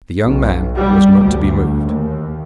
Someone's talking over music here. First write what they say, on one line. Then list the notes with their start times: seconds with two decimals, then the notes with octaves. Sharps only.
The young man was not to be moved.
0.24 B1
0.77 G3
1.23 D2
1.87 D#2